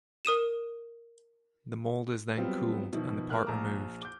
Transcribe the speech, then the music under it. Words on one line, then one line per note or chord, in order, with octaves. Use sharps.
The mold is then cooled and the part removed.
A#4 D#6 D#7 E7
F#3 G3 B3 C4 F4
B2 D#3 F3 E4
A#3 F6 F#6
A#1 A5 A#5 D6
D6 G6